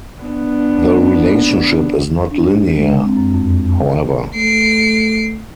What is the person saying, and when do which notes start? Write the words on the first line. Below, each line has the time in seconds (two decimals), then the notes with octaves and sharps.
The relationship is not linear, however.
0.22 B3 D4
2.31 D4
2.75 G#3
3.05 C4
3.17 F#2
3.34 F2
4.36 A3 C7 D7